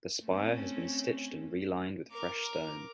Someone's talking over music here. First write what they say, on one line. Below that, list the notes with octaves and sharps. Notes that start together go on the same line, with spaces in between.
The spire has been stitched and relined with fresh stone.
A3 C4 C#4
A#4 D6